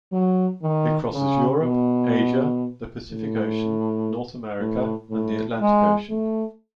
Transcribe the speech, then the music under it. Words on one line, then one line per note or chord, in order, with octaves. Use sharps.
It crosses Europe, Asia, the Pacific Ocean, North America, and the Atlantic Ocean.
F#3
D#3
C#3
B2
A2
A2
A2
G#3
A3